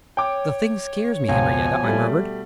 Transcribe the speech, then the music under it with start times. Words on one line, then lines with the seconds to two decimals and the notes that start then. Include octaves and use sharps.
"The thing scares me, Henriette," I murmured.
0.17 C#5 G5 D6
1.29 C#2 B2 F3 G#5
1.83 G3 A3